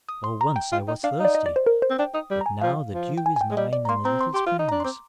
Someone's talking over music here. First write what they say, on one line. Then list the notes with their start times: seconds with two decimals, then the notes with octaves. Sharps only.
Oh, once I was thirsty; but now the dew is mine and the little springs.
0.09 D#6
0.24 C6
0.41 A#5
0.56 G5
0.72 F4
0.88 D#4
1.04 D4 F5
1.20 D#4
1.25 D5
1.35 D#5
1.46 D5
1.56 C5
1.66 A#4
1.82 C5
1.90 C4
1.99 D4 G5
2.14 D#4 D#6
2.31 G3
2.41 A#5
2.46 G#5
2.61 F3 F5
2.94 F3
3.17 G5
3.26 G#5
3.36 G#5
3.41 G5
3.51 G#3
3.57 G3 D#5
3.73 D5
3.85 A#5
3.89 A#3 C6
4.04 C4 A#5
4.21 C6
4.34 G4 C6
4.46 F4
4.59 D#4
4.69 D4 A#5
4.80 C6
4.84 C4 D6